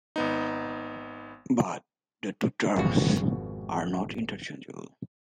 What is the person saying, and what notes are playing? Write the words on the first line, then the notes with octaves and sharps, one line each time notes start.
But the two terms are not interchangeable.
G#1 B3 D#4
G#1 F2 B2 F#4